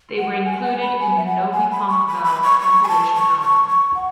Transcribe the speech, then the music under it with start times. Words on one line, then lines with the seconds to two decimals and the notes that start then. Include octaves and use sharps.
They were included in the "Novi Punk Val" compilation album.
0.18 F#5
0.45 G#5
0.63 F#5
0.81 B5
1.00 G#5
1.17 E5
1.26 F#5
1.53 G#5
1.72 B5
1.89 C#6
2.08 B5
2.25 B5
2.43 C#6
2.61 C#6
2.84 G#5
2.88 A5
3.15 C#6
3.41 C#6
3.68 C#6
3.95 F#5